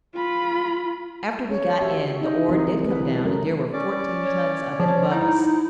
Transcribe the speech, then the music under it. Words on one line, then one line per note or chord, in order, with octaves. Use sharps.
After we got in, the ore did come down and there were fourteen tons of it above us.
F4 B5
C#4 C#5
F#4 G4 E5
D#4
C2 E3 A#4 D#5
G3 B4
F#2 A3 A4 A#4
C#4 D5
C#5
F3
D#4 E4